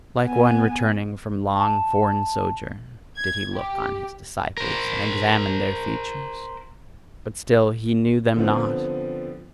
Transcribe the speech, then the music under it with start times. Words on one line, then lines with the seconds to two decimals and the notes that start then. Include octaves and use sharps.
Like one returning from long foreign sojourn did he look on his disciples, and examined their features; but still he knew them not.
0.22 B3 G#5
1.56 A5
3.17 G#6
3.55 G4
4.57 A#4 C5
8.36 D3 F3 B3 C4